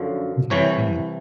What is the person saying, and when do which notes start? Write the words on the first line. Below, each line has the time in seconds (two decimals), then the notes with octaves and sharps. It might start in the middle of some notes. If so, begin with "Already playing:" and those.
Mhm, mhm.
Already playing: F#2 D3 F3
0.50 C2 C3 E3 C#5